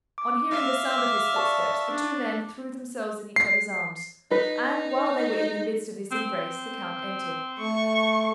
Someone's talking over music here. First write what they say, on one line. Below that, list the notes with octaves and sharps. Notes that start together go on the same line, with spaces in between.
On hearing the sound of his footsteps, the two men threw themselves in each other's arms, and while they were in the midst of this embrace, the count entered.
D6
E5 F5
D6
D5 A5 C#6
D4
C7
D#4 B4
C4
A3 C#6